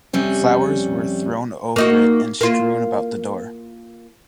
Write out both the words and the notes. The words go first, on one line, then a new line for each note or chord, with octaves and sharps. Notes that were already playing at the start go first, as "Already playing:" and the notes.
Flowers were thrown over it and strewn about the door.
F2 C3 G3 C#4
A#3 D#4 F#4
A#3 F4